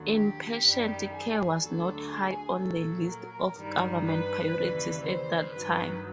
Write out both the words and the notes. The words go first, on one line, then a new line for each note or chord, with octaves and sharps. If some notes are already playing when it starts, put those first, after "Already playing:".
Inpatient care was not high on the list of government priorities at that time.
Already playing: D#2 D3 F#3
G4
F#2 D#3 G3
G#4
D2 D3 F#3 A4
G#4
A#2 F#3 A4
A#4
G2 D#3 G3
B4
D#2 C#3 E3 G3
C5
G2 D#3 F#3 B4